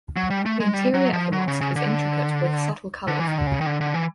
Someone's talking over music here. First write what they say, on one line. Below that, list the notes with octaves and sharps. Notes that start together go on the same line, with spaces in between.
The interior of the mosque is intricate with subtle colors.
F#3
G3
A3
G#3
G3
F#3
F3
F#3
C#3
C#3
D3
D3
E3
D#3
D3
C#3
D#3
D3
D3
E3